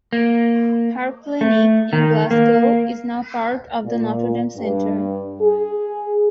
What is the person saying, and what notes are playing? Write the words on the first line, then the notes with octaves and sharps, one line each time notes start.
Her clinic in Glasgow is now part of the Notre Dame Centre.
A#3
A3
D#3
A#3
A#2
G2
G#4